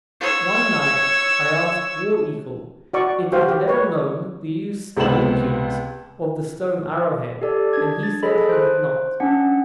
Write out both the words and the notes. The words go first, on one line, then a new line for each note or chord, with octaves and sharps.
One night I asked War Eagle if he had ever known the use, by Indians, of the stone arrow-head, and he said he had not.
C#5 E6
F#4 D5 C#6
F#4 G4 C5 F5
G4
B4 C#5
C#2 C3 B3 B5 E7 F#7
G4 A4 D5
D4 G#6
A6
G#4 A4 D#5 B5
C5 F#6
C#4 D4 F#5